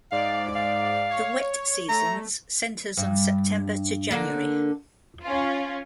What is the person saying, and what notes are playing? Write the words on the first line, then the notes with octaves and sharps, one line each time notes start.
The wet seasons centers on September to January.
G#2 D5 F5
F5
C#5
A3 A#5
G2
D3 A#3 D4
C#4 F4